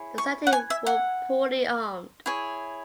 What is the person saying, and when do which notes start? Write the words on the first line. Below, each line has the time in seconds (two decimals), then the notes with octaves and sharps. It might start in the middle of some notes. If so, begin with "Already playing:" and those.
The Santee were poorly armed.
Already playing: E4 G#4 C#5
0.18 C#6
0.47 F#5
0.53 G#5
0.70 E5
0.86 F#5
2.26 E4 G#4 C#5